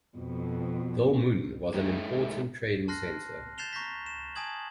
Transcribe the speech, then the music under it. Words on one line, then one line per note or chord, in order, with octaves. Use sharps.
Dilmun was an important trading centre.
F2 B2
A2 D#3 G#3 A3
A5 C6 F6 F#6 A#6 C7
G6 A6 C7 E7 F7 G7
A#5 C#6 G6 A#6 B6
E7
G#5 A5 D#6 G#6 F#7